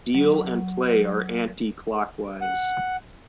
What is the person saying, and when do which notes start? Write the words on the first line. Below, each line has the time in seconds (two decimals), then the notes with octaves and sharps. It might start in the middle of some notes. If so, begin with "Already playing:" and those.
Deal and play are anticlockwise.
0.15 F#3
2.41 F#5